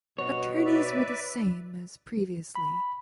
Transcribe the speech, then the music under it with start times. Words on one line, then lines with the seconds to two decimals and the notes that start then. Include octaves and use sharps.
Attorneys were the same as previously.
0.18 G2 B2 F#4 C#5
0.65 D#4 B4 D5 E5
2.55 B5